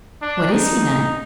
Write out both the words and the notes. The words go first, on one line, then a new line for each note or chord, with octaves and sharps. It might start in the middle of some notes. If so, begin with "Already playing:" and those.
"What is he, then?"
D4
D#4